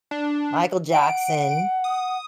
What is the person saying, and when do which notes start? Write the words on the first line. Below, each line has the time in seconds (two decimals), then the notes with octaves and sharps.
Michael Jackson,
0.11 D4
0.92 F#5 D7
1.84 D#6